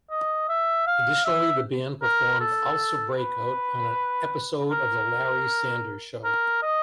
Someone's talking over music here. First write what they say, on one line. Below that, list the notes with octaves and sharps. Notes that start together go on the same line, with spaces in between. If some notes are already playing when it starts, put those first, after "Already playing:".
Additionally, the band performed "Ulcer Breakout" on an episode of "The Larry Sanders Show".
D#5
E5
F5
E5
A#4
A4
B4
A#4
A#4
D#5